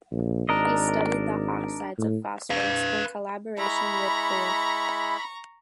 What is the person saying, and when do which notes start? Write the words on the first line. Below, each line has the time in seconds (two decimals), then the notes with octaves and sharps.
He studied the oxides of phosphorus in collaboration with Thorpe.
0.11 A#1
0.49 G#1 D4 A#4 D#5
1.98 A2
2.50 B4 F5
3.58 G#3 E4 A#5 B5 C#6